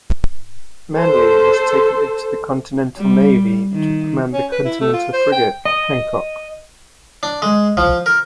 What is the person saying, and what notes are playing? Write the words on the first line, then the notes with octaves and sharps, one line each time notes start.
Manley was taken into the Continental Navy to command the Continental frigate "Hancock".
A4 C5
G3
D#3
C#4
B4
E4
A3
F4
C5
G5
D#5
D4
G#3
F3
A#4